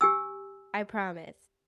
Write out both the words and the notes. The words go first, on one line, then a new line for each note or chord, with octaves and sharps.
I promise.
G4 G#5 E6